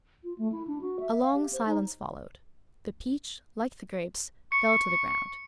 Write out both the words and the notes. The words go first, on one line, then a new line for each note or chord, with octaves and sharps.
A long silence followed; the peach, like the grapes, fell to the ground.
F4
A3
E4
D4
F#4
E5
F5
G4
C5
D#4
C#6 C#7